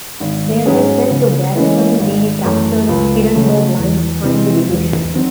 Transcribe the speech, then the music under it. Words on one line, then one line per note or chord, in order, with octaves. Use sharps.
They were sent to garrison the captured Hindenburg Line behind the division.
G#1
G#2 F#3 C#4 G#4
C#3
E3 G#3 C#4
G#1
F#2 E3 A3
C#2
C#3 F#3 A3
E2
C3 E3 G#3 C4
E1
D#3 F#3 C4